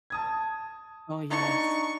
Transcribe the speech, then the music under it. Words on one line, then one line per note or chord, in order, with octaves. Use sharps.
Oh, yes.
A5 D#6 G#6
D4 D#4 C#6